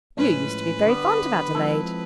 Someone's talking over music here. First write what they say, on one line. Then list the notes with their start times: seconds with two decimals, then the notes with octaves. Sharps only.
"You used to be very fond of Adelaide."
0.17 A2 F3 G#3 C#4 B4
0.85 D3 G3 B3
1.55 F3 G#3 C4 E4 A4